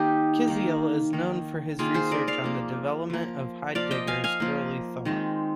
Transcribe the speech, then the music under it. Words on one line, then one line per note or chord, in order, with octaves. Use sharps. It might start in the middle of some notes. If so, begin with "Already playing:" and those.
Kisiel is known for his research on the development of Heidegger's early thought.
Already playing: D#3 A#3 D#4 G4
D#3 A#3
D#3 A#3
D#3 A#3 F4 G#4
G#4 C5
A#4 D5
D5 F5
F3 A#3
F3 A#3
F3 A#3 D5 F5
D#5 G5
F5 G#5
F5 G#5
F3 A#3
D#3 G#3 C4